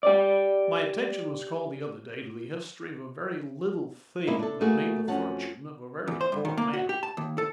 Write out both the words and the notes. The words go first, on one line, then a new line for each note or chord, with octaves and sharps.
My attention was called the other day to the history of a very little thing that made the fortune of a very poor man.
G4 D5
G#3 A#3 C#4 E4
D4 A4
A3 A#3 F#4 G#4
F2 C#4 F#4 F#5 A5
E2
C5
G2
D#3
A#3
F#4
G4
A5
D#2
A4